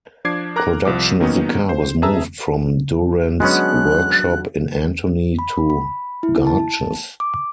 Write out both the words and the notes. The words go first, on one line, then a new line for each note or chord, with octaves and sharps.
Production of the car was moved from Durand's workshop in Antony to Garches.
F3 D4 D6 G#6 C7
A#4 A#5 D6 F#6 A#6
C2 F3 D6
D#3 F#3 A#3 B3 C#4 D#4
C5
G#4 B4 E5 A5 A#5 E6
F#3 G#3 B3 C#4 D4 F#4 F#6
B5
B5
E4
A5
D6